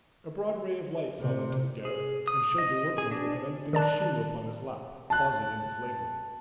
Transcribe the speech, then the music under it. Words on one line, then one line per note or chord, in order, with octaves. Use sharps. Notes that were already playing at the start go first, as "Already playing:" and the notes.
A broad ray of light fell into the garret, and showed the workman with an unfinished shoe upon his lap, pausing in his labour.
C3
G#4
D#6
D#5
G#4
D4
D#3 D5 A5 F#6
A5 F#6